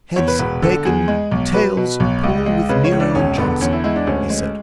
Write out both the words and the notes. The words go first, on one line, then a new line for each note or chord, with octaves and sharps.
"Heads--Bacon; tails--pool with Nero and Johnson," he said.
E2 C#5
B4
E1 B4
D3 A4
E2 G#4
G#3
B1
F#3 B4
B2
B1
C#2
G#3
C#3 B4
C#5
C#2
D4
E1 C#4
D3 B3
E2 C#4
E4
G#3 E4
D4
D2 C#4
G#3